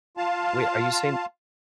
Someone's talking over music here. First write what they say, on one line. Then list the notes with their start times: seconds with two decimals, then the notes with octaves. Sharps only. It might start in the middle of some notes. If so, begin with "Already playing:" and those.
Wait, are you saying
0.17 F4 F5 A5